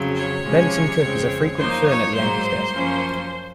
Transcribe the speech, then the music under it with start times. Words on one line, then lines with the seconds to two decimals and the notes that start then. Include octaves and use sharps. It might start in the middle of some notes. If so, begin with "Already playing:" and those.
Benson Cook is a frequent fill-in at the anchor's desk.
Already playing: F2 C#3 F#3 C4
0.15 C#5
0.44 C3 F3 G#3 C#4
1.00 F2 C#3 G#3 C4
1.57 F#2 F3 A#3 D#4 C5
1.86 C#5
2.14 G#2 F#3 A#3 D#4 C5
2.71 F#2 F3 A#3 C#4